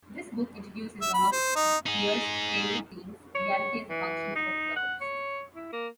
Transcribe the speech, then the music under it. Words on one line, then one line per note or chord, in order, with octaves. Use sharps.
This book introduces one of Bear's favorite themes: reality as a function of observers.
E5
B5
C5
D#4
D#4 G#4
C#5
E3
D#4
F#5
C#5
E4
A#3